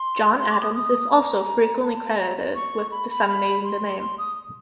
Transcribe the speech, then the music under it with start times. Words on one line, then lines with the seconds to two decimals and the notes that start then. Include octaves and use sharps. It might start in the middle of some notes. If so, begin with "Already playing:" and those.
John Adams is also frequently credited with disseminating the name.
Already playing: C6
0.39 C6
0.50 D6
0.62 D#6
0.75 D#6
1.11 A#5
1.83 A5
2.19 A#5
2.55 C#6
2.92 B5
3.10 B5
3.28 B5
3.64 C6
3.99 C6
4.18 D#6